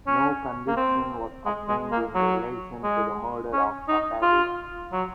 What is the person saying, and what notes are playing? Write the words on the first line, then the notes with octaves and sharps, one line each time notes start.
No conviction was obtained in relation to the murder of Papalia.
C#4
A#3
C4
G#3
G#3
A#3
F#3
G#3
C#4
D#4
F4
F#3